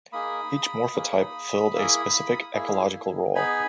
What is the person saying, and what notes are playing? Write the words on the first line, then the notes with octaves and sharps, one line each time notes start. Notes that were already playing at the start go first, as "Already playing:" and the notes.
Each morphotype filled a specific ecological role.
A#3 D#4 G#4 B5 D#6
A#3 D#4 G#4
A#3 E4 G#4
A#3 E4 G#4
B3 D#4 G#4 G#5 B5